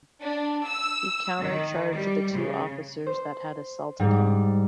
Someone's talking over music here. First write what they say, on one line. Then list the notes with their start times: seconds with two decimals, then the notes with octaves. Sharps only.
He counter-charged the two officers that had assaulted him.
0.21 D4
0.66 E6
1.40 D#3
1.91 G3
2.34 C#3
3.07 C5
4.00 G#2 G3